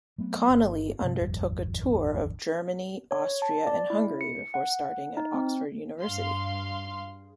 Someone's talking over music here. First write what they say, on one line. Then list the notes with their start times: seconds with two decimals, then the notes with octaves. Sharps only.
Connolly undertook a tour of Germany, Austria and Hungary before starting at Oxford University.
0.18 F#3 A3 B3 C4
0.49 G1
1.02 G2 C3
1.19 D#1 G#1 F2 G3
3.11 C#5
3.42 A5
3.67 D5
3.90 E4
4.21 C#7
4.54 F#5
5.17 D#4
5.34 C4
6.01 G2 F5 C6